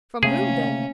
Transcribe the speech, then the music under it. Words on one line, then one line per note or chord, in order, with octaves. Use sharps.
"From whom, then?"
C3 A3 A#3 C#4 G#4